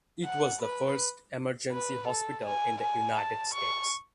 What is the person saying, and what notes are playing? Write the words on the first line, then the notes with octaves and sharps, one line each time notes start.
It was the first emergency hospital in the United States.
F#5
B4
B4
A4
G#5
G#5
A5
C#6